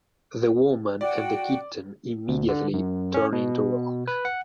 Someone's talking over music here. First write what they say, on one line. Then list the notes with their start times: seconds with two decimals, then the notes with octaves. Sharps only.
The woman and the kitten immediately turn into rock.
1.01 F#4 D5 F#5 G5
2.28 D2
2.48 D3
2.73 F#2
3.14 C#4
3.33 B2
4.08 B4
4.25 F#5